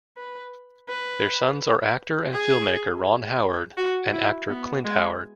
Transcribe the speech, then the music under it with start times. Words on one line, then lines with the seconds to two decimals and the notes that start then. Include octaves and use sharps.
Their sons are actor and filmmaker Ron Howard and actor Clint Howard.
0.17 B4
0.89 B4
2.33 G#4
3.77 F#4
4.13 E4
4.49 B3
4.85 G#3